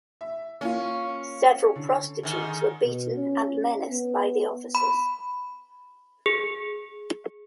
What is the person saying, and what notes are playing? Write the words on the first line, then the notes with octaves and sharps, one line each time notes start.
Several prostitutes were beaten and menaced by the officers.
E5
A#3 C#4 F4
D3
G#2 D#3
B2
C#4
B3
B5
G#4